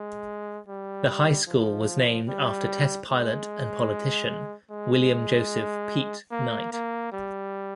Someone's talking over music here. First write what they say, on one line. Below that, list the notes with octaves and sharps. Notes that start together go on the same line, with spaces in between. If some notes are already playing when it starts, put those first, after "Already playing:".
The high school was named after test pilot and politician William Joseph "Pete" Knight.
Already playing: G#3
G3
F3
G3
G#3
G#3
A#3
A#3
G3